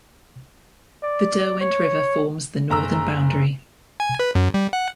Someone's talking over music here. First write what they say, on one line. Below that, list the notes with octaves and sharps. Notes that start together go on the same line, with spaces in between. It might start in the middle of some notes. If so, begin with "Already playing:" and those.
The Derwent River forms the northern boundary.
D5
C#5
F#1 A#5 E6
G#5
B4
F#2
G3
F#5